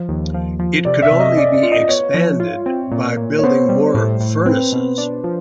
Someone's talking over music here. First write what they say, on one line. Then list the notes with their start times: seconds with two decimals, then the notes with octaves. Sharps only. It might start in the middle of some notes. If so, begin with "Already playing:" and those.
It could only be expanded by building more furnaces.
Already playing: F3
0.09 D#2
0.34 F3
0.59 F3
0.85 C3 D5
1.02 E5
1.11 C3
1.20 D#5
1.37 C#4 D5
1.54 D5
1.63 F4
1.72 D#5
1.88 B3 C#5
2.14 F3
2.40 F4
2.66 C4
2.92 A#2
3.17 A#2
3.39 C#5
3.44 B3 C5
3.69 G3
3.94 A2
4.20 A2
4.46 C4 B4
4.72 B2
4.98 D4
5.24 F3